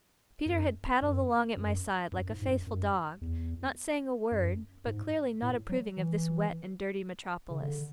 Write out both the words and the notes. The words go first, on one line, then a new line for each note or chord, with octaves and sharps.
Peter had paddled along at my side like a faithful dog, not saying a word, but clearly not approving of this wet and dirty metropolis.
F#2
F#2
F#2
F#2
G#2
G#2
F#2
F#2
E2
F#2
G#2
A2
F#3
E3
C#3
D3